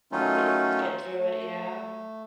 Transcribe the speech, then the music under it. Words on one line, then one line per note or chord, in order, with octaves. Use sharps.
Eh, get through it, yeah.
D#3 F#3 A3 C#4 D#4 F4
A3